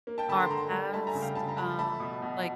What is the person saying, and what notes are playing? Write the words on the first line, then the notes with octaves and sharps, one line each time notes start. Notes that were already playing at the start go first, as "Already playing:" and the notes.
our past, um like,
A#3
G5 A5
D3 A5 B5
A#5 C6
D3 A#5 C6
G3
A3 A5 B5
G#5 A#5
C#3
F5 G5
C#3 A5 B5
A#5
F3 A5 B5
A3 A5 B5
B2
B2